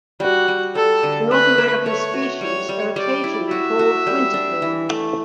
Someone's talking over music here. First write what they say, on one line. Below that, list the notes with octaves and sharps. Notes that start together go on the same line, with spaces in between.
The North American species are occasionally called winterbloom.
G3 F#4
G3
G3 A4
D3
A3 B4
A3
A3 C#5
F#4
G3 C#5
G3
G3 D5
E4
F#4 E5
F#4
G3
D4
E3
A3